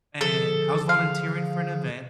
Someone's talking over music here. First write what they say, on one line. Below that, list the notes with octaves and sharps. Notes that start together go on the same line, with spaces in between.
and I was volunteering for an event,
D3 F3 G#4 A4
F5